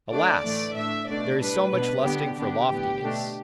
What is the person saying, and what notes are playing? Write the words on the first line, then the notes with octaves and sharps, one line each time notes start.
Alas! there is so much lusting for loftiness!
D3 A3 D4 D5
A2 E3 A3 D4
A2 A3 D4 E5
B2 A3 D4 D5
A2 G3 D4 B4
B2 B3 D4
D3 B3 D4 G4
D3 B3 D4 G4
A2 E3 B3
B2 A3 D4